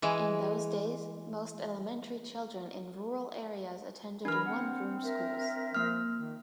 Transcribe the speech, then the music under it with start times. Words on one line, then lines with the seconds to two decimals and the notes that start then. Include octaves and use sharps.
In those days, most elementary children in rural areas attended one-room schools.
0.02 E3 G#3
4.25 E3 D4 A#4 B5 F6
4.45 C4 F#5
5.03 A#4 E5
5.74 F3 A#3 F6
6.18 D#3